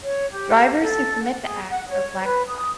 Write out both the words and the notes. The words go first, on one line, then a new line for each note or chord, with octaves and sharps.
Drivers who commit the act are black-flagged.
C#5
G4
A4
F#5
G#4
F#5
C#5
B4
D#6